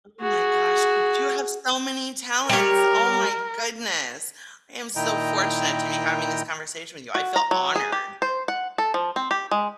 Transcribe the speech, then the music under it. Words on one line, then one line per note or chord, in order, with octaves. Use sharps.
Oh my gosh, but you have so many talents, oh my goodness. I am so fortunate to be having this conversation with you I feel honored
F#4 G#4
G3 A#4 C#5
A#2 D#3 E4 D#5 G5 A#5
F#4
A#5
F#3
G#4
G4
C5
F#5
A4
F3
C4
G4
G#3